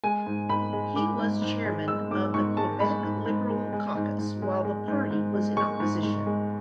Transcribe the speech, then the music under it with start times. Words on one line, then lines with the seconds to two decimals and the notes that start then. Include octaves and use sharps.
He was chairman of the Quebec Liberal caucus while the party was in opposition.
0.04 G#3 G#5
0.26 G#2
0.49 G#2 B5
0.73 G#3
0.96 G#3 D6
1.19 G#2
1.42 G#2
1.65 G#3
1.88 G#3 E6
2.11 G#2 D6
2.34 G#2 C#6
2.57 G#3 A5
2.80 G#3 B5
3.03 G#2
3.26 G#2
3.49 G#3
3.72 G#3
3.95 G#2
4.19 G#2
4.42 G#3
4.65 G#3
4.88 G#2
5.11 G#2
5.34 G#3
5.57 G#3 C#6
5.80 G#2
6.03 G#2
6.26 G#3